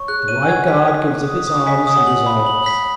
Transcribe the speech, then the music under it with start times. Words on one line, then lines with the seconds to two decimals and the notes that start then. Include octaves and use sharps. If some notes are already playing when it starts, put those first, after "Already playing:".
The White Guard gives up its arms and dissolves.
Already playing: C#5 C#6
0.08 G#4 F#6
0.28 C#5 D#7
0.42 G#5
0.48 C#5 F#5 G#6
0.68 B6
0.88 B6
1.08 B6
1.27 D#6
1.47 D#6
1.66 D#5 G#5 B6
1.87 D#6
1.97 C#5 F#5
2.07 F#7
2.26 B5
2.46 F#7
2.66 B6